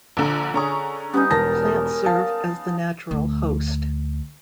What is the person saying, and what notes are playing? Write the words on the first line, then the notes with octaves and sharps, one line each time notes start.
Plants serve as the natural host.
A#1 D3 A#5
D3 C#4 G#4 A#5 C#6
G3 B3 C#4 D#4
E1 A#4 A5 A#6
F5 A5
D2